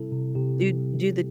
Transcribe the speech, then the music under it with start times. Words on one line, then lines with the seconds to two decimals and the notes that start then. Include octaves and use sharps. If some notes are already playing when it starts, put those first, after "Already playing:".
do do the
Already playing: C3 G3 C4 E4 A4
0.12 C3
0.35 C3 G4
0.57 C4
0.79 G3
1.01 C3